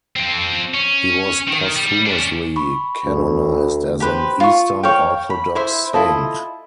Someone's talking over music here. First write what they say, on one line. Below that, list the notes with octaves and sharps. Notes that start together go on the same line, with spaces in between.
He was posthumously canonized as an Eastern Orthodox saint.
F3 C4
C#4
D#3
G3
C#4 D4
B5 C#6
D2
G4 B4 C5
F4 C#6
C#5 F5 G5
B5
E4 C5 E5
E4 F4 A4 D#5